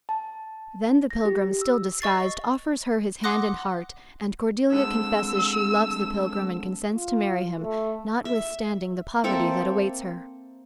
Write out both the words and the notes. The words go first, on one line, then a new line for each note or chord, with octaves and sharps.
Then the pilgrim, still disguised, offers her his hand and heart and Cordelia confesses she loves the pilgrim and consents to marry him, notwithstanding the poverty that awaits her.
A5
A#6
G4
E6
D#5 C#6 A6 C7
F#5 C6 D6 D#6 F#6 A#6
D3 G#3 C4 E6
F4
A3
E5
A#3 C4 A4 E5